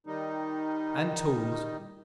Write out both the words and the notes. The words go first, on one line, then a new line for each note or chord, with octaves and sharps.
And tools.
D#3 G3 D#4